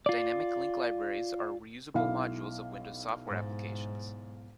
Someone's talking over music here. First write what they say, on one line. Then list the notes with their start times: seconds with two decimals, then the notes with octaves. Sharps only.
Dynamic Link Libraries are reusable modules of windows software applications.
0.06 F4 D5
1.94 B1 E4 F5
3.26 G#2